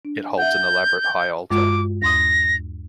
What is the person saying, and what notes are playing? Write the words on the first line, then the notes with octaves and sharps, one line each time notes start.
It holds an elaborate high altar.
D4
E5 F#5 G6
G2 G#3 F4 D6
D#2 C6 D#6 A#6